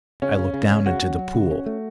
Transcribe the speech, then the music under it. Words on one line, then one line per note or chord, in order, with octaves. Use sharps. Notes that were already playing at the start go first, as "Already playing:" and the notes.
I looked down into the pool.
C#3 C#4
C#3
C#3
C#3
C#3 F#4
C#4
F#3
C#3
C#4
A3